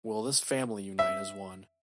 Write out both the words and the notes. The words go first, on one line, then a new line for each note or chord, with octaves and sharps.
Will this family unite as one?
E5